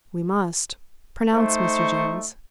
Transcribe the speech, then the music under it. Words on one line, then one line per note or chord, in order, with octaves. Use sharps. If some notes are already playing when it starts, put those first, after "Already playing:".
"We must," pronounced Mr. Jones.
A3 D#4 C5 C#6